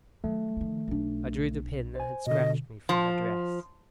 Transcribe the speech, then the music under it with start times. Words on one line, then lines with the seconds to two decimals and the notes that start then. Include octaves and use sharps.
I drew the pin that had scratched me from her dress.
0.24 D#3 F#3 A3
0.57 D#3 F3
0.88 B1 D4
1.95 C5 G#5
2.27 B2 D3 D#5
2.89 F3